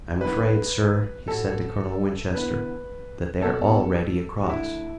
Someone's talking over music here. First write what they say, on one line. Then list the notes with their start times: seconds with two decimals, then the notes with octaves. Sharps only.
"I'm afraid, sir," he said to Colonel Winchester, "that they're already across."
0.21 E2 D3 B3 E4 B4
1.28 A2 A3 F#4 A4
2.35 D2 D3 B3 E4 B4
3.42 E2 B2 B3 F#4 A4
4.44 F#4
4.49 D2 D3 A3 E4